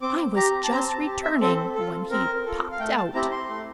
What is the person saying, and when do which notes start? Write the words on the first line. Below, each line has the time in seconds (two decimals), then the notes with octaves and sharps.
I was just returning when he popped out.
0.02 C4 D6
0.36 G4 A#5
0.64 A5
0.71 C4 A#5
0.89 A5
1.06 G4
1.23 E5
1.41 C4 A4
1.75 F4 A4
2.10 C4 A#4
2.45 F4 A4
2.72 F5
2.79 A3 G5
2.97 A5
3.14 C4 E4 G4 A#5
3.32 C6
3.49 A3